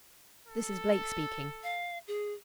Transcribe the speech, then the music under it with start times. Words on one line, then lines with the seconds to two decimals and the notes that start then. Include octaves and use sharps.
This is Blake speaking.
0.47 A4
1.63 F5
2.08 G#4